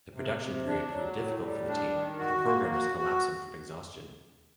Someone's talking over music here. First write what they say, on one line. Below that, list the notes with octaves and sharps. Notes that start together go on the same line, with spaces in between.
The production period proved difficult for the team, with the programmers collapsing from exhaustion.
C3
C3
D4
F#3
A2
G3
D4
D#3
F#4
A#3
F#4
F#4